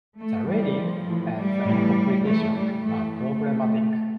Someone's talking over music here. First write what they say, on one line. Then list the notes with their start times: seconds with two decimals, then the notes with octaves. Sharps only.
The reading and the interpretation are problematic.
0.18 A3
0.47 A2 E3 G3
0.77 F3
1.06 A2 E3
1.37 G3
1.66 A2 E3
2.25 A2 E3 A3
2.56 G3
2.85 A2 E3 A3
3.15 A3
3.45 B2